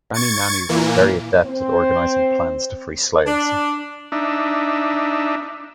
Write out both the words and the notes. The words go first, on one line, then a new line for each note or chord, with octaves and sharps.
Granny Nanny was very adept at organizing plans to free slaves.
C#6 G#6 A6 C#7
A#2 E3 A#3
C4 C5
D4
D4 D#4 E5